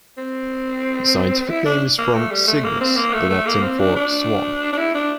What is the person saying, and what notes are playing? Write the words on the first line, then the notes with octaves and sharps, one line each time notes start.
The scientific name is from "cygnus", the Latin for "swan".
C4
E4
D4
A#3
A3
G3
A3
A#3
C4
A#3
A3
A3
A#3
C4
D4
D4
D4
E4
D4